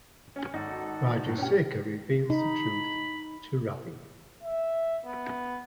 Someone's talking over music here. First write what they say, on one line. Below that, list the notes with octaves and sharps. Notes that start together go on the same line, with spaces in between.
Rajasekhar reveals the truth to Ravi.
C#4 G#5
G#1 D#4 F#4 A4
G1 A2
C#4 G4
D#4 B5
E5
B3